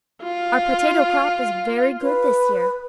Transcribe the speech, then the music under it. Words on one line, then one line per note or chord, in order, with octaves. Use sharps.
Our potato crop is very good this year.
F4
B4